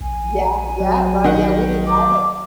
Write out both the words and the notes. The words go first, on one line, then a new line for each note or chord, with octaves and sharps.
yeah yeah, right, yeah, we didn't have it.
A#1 G#5
F#3
D#3 F#5
D6